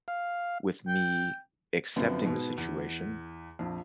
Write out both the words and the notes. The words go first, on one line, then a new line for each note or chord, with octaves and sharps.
with me accepting the situation,
F5
G5
F#2 D3 F3 B3 C4
G#2 B2 B3
E2
A#1 F2